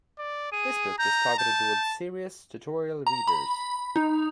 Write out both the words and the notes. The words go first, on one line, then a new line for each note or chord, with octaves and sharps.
This book is targeted towards serious, tutorial readers.
D5
G#4 D#7
A#5 G6
A5 G6
A#5
B5
D#4